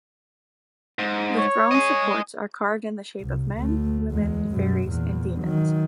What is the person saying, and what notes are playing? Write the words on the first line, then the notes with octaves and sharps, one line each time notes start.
The throne's supports are carved in the shape of men, women, fairies, and demons.
G#2
C#5
D#5 G#5
C2
D2 A3
E2 G#3
F#2 B2
E2 A#2
D#3 F#3